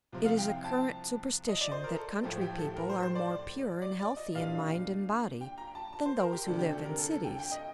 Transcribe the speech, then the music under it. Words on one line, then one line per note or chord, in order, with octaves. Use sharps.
It is a current superstition that country people are more pure and healthy in mind and body than those who live in cities.
C2 C3 F3 C4
F5
G5
A5
D#5
D5
C5
A#4
A4
A2 F3 A3 A4
G4
A4
A#4
C5
C5
D5
D5
D5
D#5
A#2 G3 D4 F5
G5
A#5
A5
A5
C5
A#4
G4
D2 C3 G3 D4 A4
G4
A4
A#4
A4
A4
G5
G5
D#5